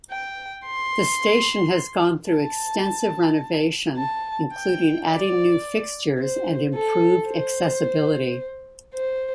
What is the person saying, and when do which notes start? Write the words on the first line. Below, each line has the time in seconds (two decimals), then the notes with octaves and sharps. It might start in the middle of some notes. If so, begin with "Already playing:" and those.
The station has gone through extensive renovation including adding new fixtures and improved accessibility.
0.10 G5
0.65 C6
2.32 A5
3.97 A5
4.53 G5
5.08 D5
6.19 C5
6.74 A4
7.29 C5
8.94 C5